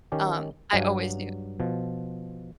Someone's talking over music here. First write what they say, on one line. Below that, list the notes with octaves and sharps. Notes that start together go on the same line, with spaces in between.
um, I always knew,
D#3 C#4 G4
G2 F#3 F5 F#5 G#5
B2 F3